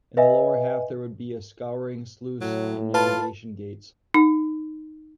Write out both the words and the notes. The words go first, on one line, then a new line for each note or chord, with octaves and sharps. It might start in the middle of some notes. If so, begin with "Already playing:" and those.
In the lower half there would be a scouring sluice and navigation gates.
B4 D#5 E5 G#5
A2 F#3
F4 B4 A5
D#4